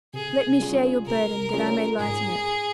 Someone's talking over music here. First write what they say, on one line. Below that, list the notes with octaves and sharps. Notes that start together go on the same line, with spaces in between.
Let me share your burden that I may lighten it.
C3 G#4
G3 C#4 F4 G#4
C3 A#4
G3 C#4 F4 G#4
G#2 G#4